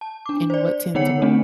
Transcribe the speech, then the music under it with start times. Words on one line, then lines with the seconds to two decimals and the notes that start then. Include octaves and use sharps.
And what tend to work?
0.01 A5
0.26 D4 D6
0.50 C5 D5
0.95 D3 B3 D#4 C#5 F#5 C#7
1.22 A3 C4 D4